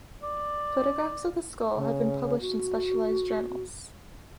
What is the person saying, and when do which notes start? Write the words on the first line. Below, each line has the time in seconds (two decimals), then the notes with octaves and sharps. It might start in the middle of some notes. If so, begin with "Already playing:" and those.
Photographs of the skull have been published in specialized journals.
0.23 D5
1.76 C#3
2.41 F#4